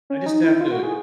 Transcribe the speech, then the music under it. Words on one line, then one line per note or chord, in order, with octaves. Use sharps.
I just have to
C#4
D#4
E4
F4
F#4
G#4